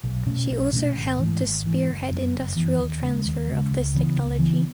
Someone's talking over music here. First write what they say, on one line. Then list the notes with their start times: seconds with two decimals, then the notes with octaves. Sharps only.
She also helped to spearhead industrial transfer of this technology.
0.04 B1
0.26 B2 A3 C#4
0.50 B1
0.73 B2 A3 C#4
0.95 G#1
1.18 G#2 E3 A3
1.41 G#1
1.64 G#2 E3 A3
1.87 F#1
2.11 F#2 E3 B3
2.33 F#1
2.56 F#2 E3 B3
2.79 D#2
3.02 C#3 G#3
3.25 D#2
3.48 C#3 G#3
3.71 C#2
3.94 C#3 E3 B3
4.17 C#2
4.39 C#3 E3 B3